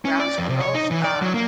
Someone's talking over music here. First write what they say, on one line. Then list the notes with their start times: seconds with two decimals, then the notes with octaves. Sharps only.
Ground squirrels, um,
0.05 C#4
0.19 D5
0.38 F2
0.49 C3
0.60 C#5
0.74 D#4
0.91 E3
1.04 D5
1.22 F#3
1.34 A#3